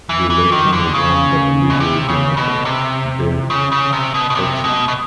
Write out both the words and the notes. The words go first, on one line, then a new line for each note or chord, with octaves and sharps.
The election was won by the Liberal Democrat, Dave Hodgson.
E3
E3
D#3
D3
C#3
B2
C3
C#3
B2
C3
C#3
C#3
C3
B2
B2
C3
B2
B2